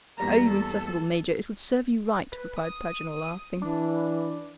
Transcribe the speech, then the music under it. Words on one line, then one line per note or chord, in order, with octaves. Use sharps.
"Oh, you insufferable Major; it would serve you right," replied Paganel, laughing.
E2 G3 A#3 A#5
A4
B4
D#6
E3 D4